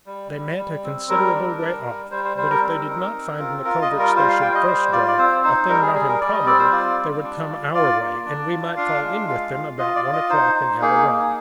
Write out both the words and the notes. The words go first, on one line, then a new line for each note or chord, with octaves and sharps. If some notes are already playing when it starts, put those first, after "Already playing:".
They met a considerable way off, but if they did not find in the coverts they should first draw, a thing not improbable, they would come our way, and we might fall in with them about one o'clock and have a run.
G3
G3
G3
C4
G3 A#4
D4
G3
G3
G3 C5
C5
G3 C5
A#4
C4
D#4
C4
F4
F4 A#4
D#5
G3
A#4
F4 C5
F5
G3 G5
D#5
G3 C5
F4 D5
D5
C4 C5
D#4 C5
G3 A#4
G#4
G3 G#4
A#4
G3 D5
D#5
C4 D5
C5
F4 D5
G3
D4
F4
F4 D5
A#3
D4
F4
D4 F5
G#3
F4
F4
F4 D#5
D5
F4
D#5
D#4 C5
D#4
A#3 G#4
D#4